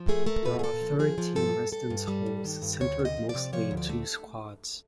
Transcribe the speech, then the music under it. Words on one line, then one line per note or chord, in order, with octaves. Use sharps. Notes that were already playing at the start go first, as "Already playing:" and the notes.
There are thirteen residence halls, centered mostly in two quads.
Already playing: F3
A3 G#4
A3 A#4
A#2 B4
G#4
A#2 A4
F3
F3 G#4
F3
G2 A4
G2
G2 A4
G2
G3
G2
D#3
G2
D2 C#5
C3
D#5
F3
D5
C3
F3 C#5
D2
D5
A3